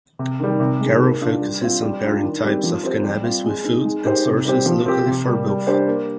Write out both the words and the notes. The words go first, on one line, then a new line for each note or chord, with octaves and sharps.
Carroll focuses on pairing types of cannabis with food and sources locally for both.
C3
D#3 G3
C3
D#3 G#3
A#3
D4 F4
G3
C4 F4
G3
D4 F4
D#3
G3 C4 G4
F3
C4 G4 C5
G3
C4 F4
G#3
C4 D#4
G#3
D#4 G4 C5
C3
G3 C4 G4 C5
F3
C4 G4
C3
G3 A#3
G3
D4 G4 C5
A#3